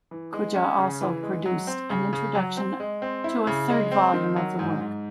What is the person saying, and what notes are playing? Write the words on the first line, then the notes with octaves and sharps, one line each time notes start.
Kujau also produced an introduction to a third volume of the work.
E3
G#3
C#4
C#3
E3
G#3
F#3
C4
C#3
C#3
F#3
C4
G#3
C4
E4
C#3
G#3
C4
D#3
F#3
G#2
G#2